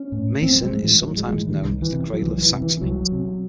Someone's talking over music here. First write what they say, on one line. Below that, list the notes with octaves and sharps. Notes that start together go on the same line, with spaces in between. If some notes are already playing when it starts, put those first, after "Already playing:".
Meissen is sometimes known as the "cradle of Saxony".
Already playing: C#4
A2
A1 C4
F#3
G#3
A2
E3
A1 F#3
G#3
A2 E3
D#3
C2
E3
C3
F#3
C2 E3
F#3
E3
C3
E3
C2 F#3
C3